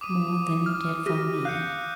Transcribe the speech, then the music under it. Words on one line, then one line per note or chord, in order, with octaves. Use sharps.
"More than you did for me?"
D6 D#6 D#7
F6
F#4 G4 F6 A#6 D#7
F5 F#6 G6 C#7